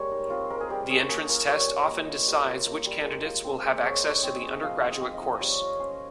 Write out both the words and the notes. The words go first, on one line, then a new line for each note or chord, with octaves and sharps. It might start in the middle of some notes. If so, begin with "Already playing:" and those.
The entrance test often decides which candidates will have access to the undergraduate course.
Already playing: G3 G#3 A#3 A#4 C#5
D#4
C4 F4
G#3 A#4
G#4
G3 G4
C#4 G#4
A#3 G#4
F4 A#4
G3 C#5
C#4
A#3 D#5
F4
G3
F4
A#3
G3
G#3
F4
C4
G#3
G#3 C#5
D#4
C#5
C4
D#5
G#3
D#5
F3 F5
D#4
D#5
C4
D#5
F3
G3 C#5
F4
C#4 C5